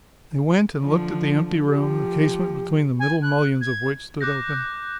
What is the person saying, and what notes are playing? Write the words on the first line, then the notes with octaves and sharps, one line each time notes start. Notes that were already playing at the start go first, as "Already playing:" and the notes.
They went and looked at the empty room, the casement between the middle mullions of which stood open.
D3 F3
F3 G4
G#5
F#6
G#6
D6 F#6 G6 A#6